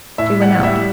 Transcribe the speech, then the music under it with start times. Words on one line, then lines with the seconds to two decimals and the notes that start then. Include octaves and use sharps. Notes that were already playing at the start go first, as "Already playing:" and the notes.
She went out.
0.18 A2 E5
0.41 F#5
0.63 G3 E5